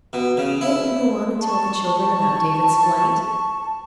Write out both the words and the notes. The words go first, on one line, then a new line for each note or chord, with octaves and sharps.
"Won't you go on and tell the children about David's flight?"
B2
C#3
E4
A5 C#6